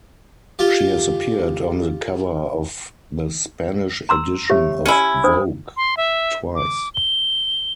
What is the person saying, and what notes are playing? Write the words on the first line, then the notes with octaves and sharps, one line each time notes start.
She has appeared on the cover of the Spanish edition of "Vogue" twice.
F4 G4
A#5 C6 E6
G4 C#5 E5
C#4 E4
D4 C5 D#6
C6
E5
D6
G7